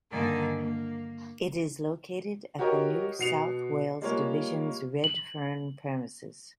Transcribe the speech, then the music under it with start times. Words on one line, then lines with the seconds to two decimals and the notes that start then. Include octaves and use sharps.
It is located at the New South Wales division's Redfern premises.
0.11 G2 D3 D#3 A#3 D5 G#5
0.56 A#3
2.59 F#4 G4 A#4 C#5 D#5
3.19 B2 F#4 C7 C#7 F7
4.01 G3 G#3 A#3 F4 C#5
5.04 F#7